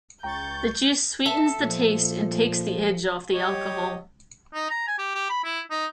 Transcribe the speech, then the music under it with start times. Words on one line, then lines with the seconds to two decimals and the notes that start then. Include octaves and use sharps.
The juice sweetens the taste and takes the edge off the alcohol.
0.23 C#2 G5 A#5 C#6 G6 A6
1.26 A4 E5
1.60 A#2 F3
3.34 G4 C#5 D#5
4.53 D#4
4.70 A#5
4.87 G#5
4.98 G4
5.15 G4
5.29 B5
5.44 E4
5.70 D#4